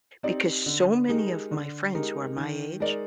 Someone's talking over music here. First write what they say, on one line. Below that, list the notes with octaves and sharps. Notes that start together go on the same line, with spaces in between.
because so many of my friends who are my age
C4 D#4 G4 D5
D3
G#3 D#4 G4 A#4
D3
G#3 D#4 G4 A#4
D#3
G#3 D#4 A#4 D5